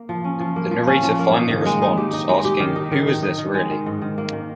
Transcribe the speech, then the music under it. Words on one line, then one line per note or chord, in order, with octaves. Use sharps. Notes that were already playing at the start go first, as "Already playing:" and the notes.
The narrator finally responds, asking who is this really?
Already playing: A#3
F3
C#4
F3
A#3
F3
C#4
F3
A#3
D#4
D#3
G#3
D#4
G4
D#4
G#3
G4
D#3
D#4
D#3
D#4
D#4
D#3
G#3
D#3
G#2
D#3
A#3
D#3